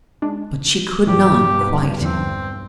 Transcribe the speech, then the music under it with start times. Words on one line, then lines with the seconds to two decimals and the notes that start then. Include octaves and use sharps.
But she could not, quite.
0.22 G#3 D4
1.07 B1 G2 E3 F3 G3 G4
1.61 B4
2.01 E2 D3 F3 C4